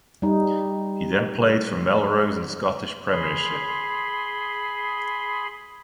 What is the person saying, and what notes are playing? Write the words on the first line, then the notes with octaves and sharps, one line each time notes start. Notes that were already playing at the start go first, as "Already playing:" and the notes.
He then played for Melrose in the Scottish Premiership.
G3 D#4
G#4 B5 C6